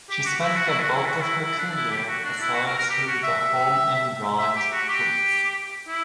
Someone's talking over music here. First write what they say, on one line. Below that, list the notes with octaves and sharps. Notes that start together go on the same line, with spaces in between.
She spent the bulk of her career assigned to the Home and Grand Fleets.
G4
F#4
E4
F#4
E4
F#4
E4
F#4
E4
E4
D4
E4
G4
F#4
D4
E4
F#4
A#4
A#4
G4
F#4
E5
E5
E5
G4
F#4
G4
E4